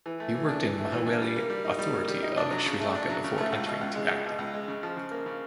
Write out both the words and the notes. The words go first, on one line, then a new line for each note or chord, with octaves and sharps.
He worked in Mahaweli Authority of Sri Lanka before entering to acting.
E3
A3
E3
D4
E3
A3
E3
D4
G3
A#3
G3
D#4
G3
A#3
G3
D#4
D4
F#3
C#3
A3
D4
F#3
C#3
A3
C#2
B2
C#2
G#3
C#2
B2
C#2
G#3
C#3
F3
C#3
A#3
C#3